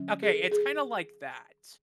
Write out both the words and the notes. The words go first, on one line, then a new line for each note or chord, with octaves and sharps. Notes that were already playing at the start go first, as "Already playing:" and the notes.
Okay, it's kinda like that.
Already playing: D3 F#3 C#4
G#4
A4
G#4